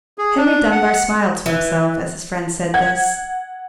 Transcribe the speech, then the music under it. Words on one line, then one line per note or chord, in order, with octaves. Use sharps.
Henry Dunbar smiled to himself as his friend said this.
G#4
D4
F#5
E3
F#5 G#6